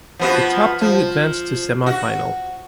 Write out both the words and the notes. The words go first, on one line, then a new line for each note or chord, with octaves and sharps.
The top two advanced to semifinal.
F3 B3 F#4
F3
F#4